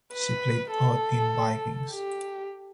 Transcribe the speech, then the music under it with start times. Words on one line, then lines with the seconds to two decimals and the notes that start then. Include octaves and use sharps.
She played Aud in "Vikings".
0.13 B4
0.71 A4
1.91 G4